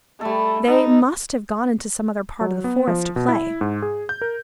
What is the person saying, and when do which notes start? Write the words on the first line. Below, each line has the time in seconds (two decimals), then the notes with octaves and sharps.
They must have gone into some other part of the forest to play.
0.21 G3 A3 A4
0.68 D#4 A4
2.41 F#3
2.64 B3
2.87 F3
3.16 B2
3.28 E4
3.61 G#2
3.82 G#4
4.09 G6
4.21 A#4